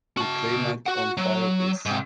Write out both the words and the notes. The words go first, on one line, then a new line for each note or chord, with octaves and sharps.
The claimant on file is...
F#4 A5
F#4 F#5
F#3
G#2 C3